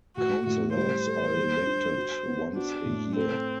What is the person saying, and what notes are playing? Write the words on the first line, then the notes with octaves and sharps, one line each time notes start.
Counselors are elected once a year.
A2 F#4
A2 F#4
G3 C5
A4
G3
D4
F#4
B3
D4 F#4
A2
C4 A4